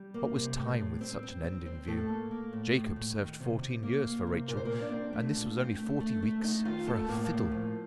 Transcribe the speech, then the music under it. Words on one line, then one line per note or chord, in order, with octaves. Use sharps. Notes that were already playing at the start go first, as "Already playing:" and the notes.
What was time with such an end in view? Jacob served fourteen years for Rachel, and this was only forty weeks for a fiddle!
Already playing: G3 G4
A#3
C3
A2
A2
C4
C4
C4
C4
A2 A3 A4
A#3
A#3
A2
A2
A2
D#3
C3
C3
A#3
A#3
C3
A#2 A#4
C5
A#2 A#3 A#4
D4 D5
C4
A3
A#2
C4
A3
A3
A3
A3 D#4 D#5
D#3 F4 F5
A3 A4 A5
A2 A#3 A#4
A2
F3